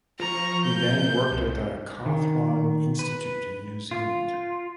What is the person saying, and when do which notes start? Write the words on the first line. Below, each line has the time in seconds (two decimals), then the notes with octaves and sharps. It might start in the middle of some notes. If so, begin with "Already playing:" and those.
He then worked at the Cawthron Institute in New Zealand.
0.20 F3 A#5 C#6
0.63 G6
1.32 C2
2.06 D#3
2.99 B4
3.91 F4